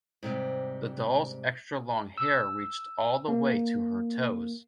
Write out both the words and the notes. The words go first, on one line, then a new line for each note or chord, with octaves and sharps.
The doll's extra-long hair reached all the way to her toes.
G#2 C3 G3
E6
A#3